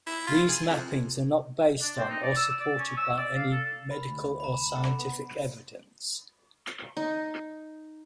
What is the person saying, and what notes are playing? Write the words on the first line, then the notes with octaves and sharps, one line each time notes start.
These mappings are not based on or supported by any medical or scientific evidence.
E4
F4
G#4
F2
D4
C4
D#4
D5
E6
D5
C#4
E6
D5
F5
A4
A#4 B5
D2
A#5 B5
A4 D5 F#5
B3
D#4